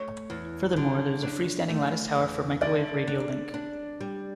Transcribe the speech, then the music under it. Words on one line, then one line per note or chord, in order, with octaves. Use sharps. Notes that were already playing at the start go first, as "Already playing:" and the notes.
Furthermore there is a free standing lattice tower for microwave radio link.
Already playing: A3 C#5
E2
D3
D4
A3
E2
D3 D5
D4
D4
G3